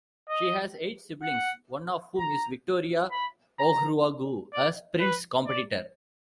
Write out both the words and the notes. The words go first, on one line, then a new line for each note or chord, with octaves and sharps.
She has eight siblings, one of whom is Victoria Ohuruogu, a sprints competitor.
D#5
F#5
A#5
B5
A#5
D5
B4
D5